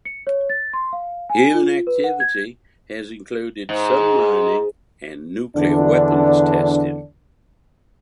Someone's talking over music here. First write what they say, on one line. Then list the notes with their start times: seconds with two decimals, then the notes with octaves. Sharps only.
Human activity has included some mining and nuclear weapons testing.
0.05 C#7
0.27 C#5
0.50 A6
0.73 C6
0.93 F5
1.29 G#5
1.54 F4
1.87 B4
2.04 F#5
2.20 G#6
3.69 G#2
5.56 E2 D3 D4